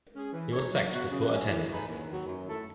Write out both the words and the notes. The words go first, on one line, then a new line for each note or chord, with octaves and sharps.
He was sacked for poor attendance.
G#3 C#4 G#4
E3
G#3 D#4 A4 C#5
F#3
B3 F#4
C#3
F#3 A3 C#4
E3
A3 D#4 G#4 B4
D#2
D#3 F#3
F#2
D#3 A3 E4 A4